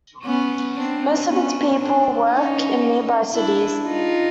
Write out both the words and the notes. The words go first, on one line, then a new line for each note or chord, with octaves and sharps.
Most of its people work in nearby cities.
B3 C#4
C4 D4
B3 C#4
C4 D4
C#4 D#4
D4 E4
D#4 F4